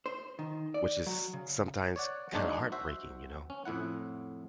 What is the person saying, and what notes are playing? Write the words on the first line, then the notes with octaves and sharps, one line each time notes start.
which is s sometimes kind of heartbreaking, you know.
C5
D#3
D5
F#3
C#3
C#5 D5 F#5
F#3 G#3 A#3 D4 D#4 C#5
F#4 C5 E5
C#4
F2 A2 E4 F#5